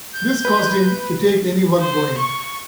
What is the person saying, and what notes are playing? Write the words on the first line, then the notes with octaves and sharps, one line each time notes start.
This caused him to take any work going.
G6
B4
C5
C#6